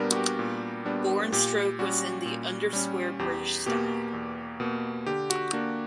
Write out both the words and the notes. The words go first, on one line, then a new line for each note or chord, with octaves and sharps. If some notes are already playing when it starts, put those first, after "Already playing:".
Bore and stroke was in the undersquare British style.
Already playing: A#2 G3 B3 D4 G4 A#4
F#4
G4
A#2
G3 B3 D4
A#2 G4
G3 C#4 F#4
A#2
G3 C#4
E2 G4
B2 A#3 G4
E2
B2 A#3
D3 G4
F#4
A#3 D4 F#4